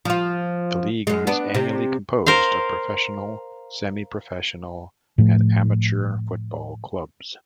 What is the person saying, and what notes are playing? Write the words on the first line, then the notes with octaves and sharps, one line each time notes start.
The league is annually composed of professional, semi-professional, and amateur football clubs.
F3 F4
F#2 G#3
B3 D4
C3
A#4 C5 F5
A2 F3 A3